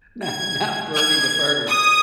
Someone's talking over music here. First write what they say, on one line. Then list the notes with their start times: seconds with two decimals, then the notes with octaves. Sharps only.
not not burning the burgers.
0.24 G#6
0.96 G#6
1.69 D#6